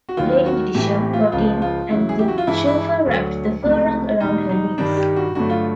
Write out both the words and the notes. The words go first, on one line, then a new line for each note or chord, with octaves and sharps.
Lady Dittisham got in and the chauffeur wrapped the fur rug around her knees.
F#4
D#2 D#3 F#3 F4
F#4
A2 E3 A3 G4
G4
F4
C#2 C#3 F3 F4
F4
E2 C#3 F#3 E4
G#4
G4
F#4
F4
G2 E3 G#3 E4
E4
D2 D3 F#3
C#2 C3 F3 A3
E2 B2 G3 D#4
D#4
G2 D#3 G3 D4
G4
F#4
G2 D3 F#3 A3 F#4
F4